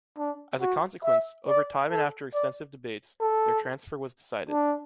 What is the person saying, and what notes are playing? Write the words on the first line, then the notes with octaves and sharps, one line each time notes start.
As a consequence, over time and after extensive debates, their transfer was decided.
D4
F#4
E5
D5
A4
D5
A4
D4